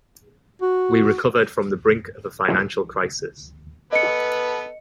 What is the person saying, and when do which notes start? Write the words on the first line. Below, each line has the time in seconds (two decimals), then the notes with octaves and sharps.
We recovered from the brink of a financial crisis.
0.62 F#4
3.93 B3 A4 B4 D#5 C#7